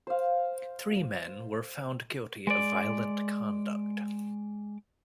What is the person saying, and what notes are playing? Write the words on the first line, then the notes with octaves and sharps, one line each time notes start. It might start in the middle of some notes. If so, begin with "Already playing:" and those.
Three men were found guilty of violent conduct.
C5 F5
G#3 D5